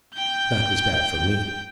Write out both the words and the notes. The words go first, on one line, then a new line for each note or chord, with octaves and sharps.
That was bad for me.
G5 G6